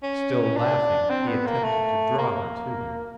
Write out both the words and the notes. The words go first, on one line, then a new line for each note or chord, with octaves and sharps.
Still laughing, he attempted to draw her to him.
C#4
D4
C4
B3
A#3
A3
A#3